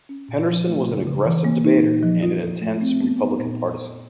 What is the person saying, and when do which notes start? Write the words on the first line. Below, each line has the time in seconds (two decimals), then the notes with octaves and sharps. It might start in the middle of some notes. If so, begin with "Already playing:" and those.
Henderson was an aggressive debater and an intense Republican partisan.
0.09 C#4
0.28 A#2
0.48 F3
0.67 A3
0.87 C#3
1.07 C#3
1.25 E3
1.44 A#3
1.65 D#4
1.84 A#2
2.03 F3
2.23 F4
2.42 A4
2.62 A3
2.81 C4
3.01 B3
3.19 D#4
3.39 A#2